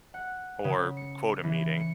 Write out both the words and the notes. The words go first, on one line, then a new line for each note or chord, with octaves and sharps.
or quota meeting.
F#5
C#3
C#7
E3
C#7